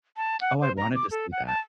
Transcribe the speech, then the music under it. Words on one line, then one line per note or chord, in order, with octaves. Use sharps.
Oh, I wanted to see that.
A5
F#5
C5
A#5
D6
A4
F#5
A5